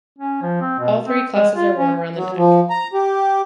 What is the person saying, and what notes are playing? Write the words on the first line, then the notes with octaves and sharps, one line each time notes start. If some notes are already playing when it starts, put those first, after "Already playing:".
All three classes are worn around the neck.
C#4
F3
C4
B2
C4
G#3
F4
C#4
F#3
F3
A#5
G4